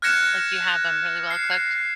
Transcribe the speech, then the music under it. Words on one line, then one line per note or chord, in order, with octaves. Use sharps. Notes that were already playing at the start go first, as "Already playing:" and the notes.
Like, do you have them really well cooked?
F6 F#6 G#6 A#6 C#7 E7
C7